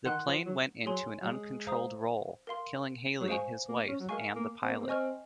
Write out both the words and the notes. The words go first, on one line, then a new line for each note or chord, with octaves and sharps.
The plane went into an uncontrolled roll, killing Halley, his wife, and the pilot.
D#3 F#5 C6 F#6
F3
F#3
F#3 G#4 C#5 G#5 C6
F#3
G#3
C5 F5 A#5 D#6
A#4 F5 C6
F#3
G#3 C5 F5 G#5 C#6
A#3
C#4
F#3
G#3 A#4 F5 G#5 C#6
A#3
C4
A#3
C4
D#5 G#5 C#6 F6